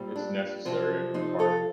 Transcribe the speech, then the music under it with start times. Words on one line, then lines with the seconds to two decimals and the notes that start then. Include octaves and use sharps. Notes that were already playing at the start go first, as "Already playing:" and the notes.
it's necessary on your part?
Already playing: A#2 G3 C4
0.16 D4
0.65 F2 C3 F3 C4
1.14 C4 D#4
1.39 F4 A4